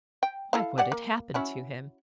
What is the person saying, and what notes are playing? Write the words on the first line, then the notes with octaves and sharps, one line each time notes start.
Why, what had happened to him?
G5
E4 A4 F5
G4 D5 F#5
A#3
C#4 E4 F#4